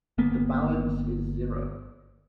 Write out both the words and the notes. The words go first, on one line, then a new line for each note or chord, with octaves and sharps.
The balance is zero.
G1 A#3 B3